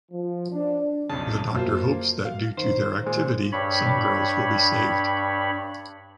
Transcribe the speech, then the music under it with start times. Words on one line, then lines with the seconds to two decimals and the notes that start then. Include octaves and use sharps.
The doctor hopes that due to their activity some girls will be saved.
0.11 F3
0.51 D4
1.10 B1 F2 C#3 A5
1.55 F#2 A#3 F4 C5
2.25 F5
2.57 D#3 C5
3.06 A#2 G#3
3.52 G2 C#5 B5